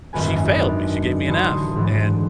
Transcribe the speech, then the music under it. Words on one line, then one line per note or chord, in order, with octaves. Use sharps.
She failed me, she gave me an F, and,
D#1 G#1 F#2 B4 G#5
B3 D4 D#4 D5
A1 D3 E3 C6 D#6 C#7
G#2 D3 E3